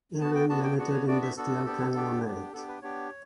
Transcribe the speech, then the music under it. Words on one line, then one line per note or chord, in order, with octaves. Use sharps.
Irving Limited industrial conglomerate.
B3 F#4 A5
G5
B3 D4 F#4 A5
G5
B3 D4 F#4 F#5
C#5
B3 D4 F#4 D5
E5
B3 D4 F#4 A4
B3 D4 G4
B3 D4 G4
B3 D4 G4
B3 D4 G4 A4
B4
B3 D4 G4 C#5